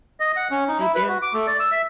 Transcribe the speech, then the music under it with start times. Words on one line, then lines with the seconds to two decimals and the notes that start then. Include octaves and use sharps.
They do.
0.20 D#5
0.36 F#5
0.51 C#4
0.68 D#4
0.80 E4
0.95 B4
1.08 F#4
1.22 D6
1.34 A3
1.47 D5
1.60 E6
1.72 E5